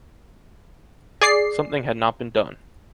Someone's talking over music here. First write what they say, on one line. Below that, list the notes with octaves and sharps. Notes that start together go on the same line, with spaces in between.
Something had not been done.
G#4 D5 C7